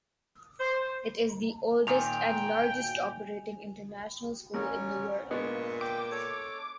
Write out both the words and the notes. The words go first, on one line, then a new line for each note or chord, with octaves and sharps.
It is the oldest and largest operating international school in the world.
C5
A#2 D#3 G5 G#5 F7
A1 C#4 A#4
A#2 G#3 B3 D4 C#6
G5 D6
A4 C#5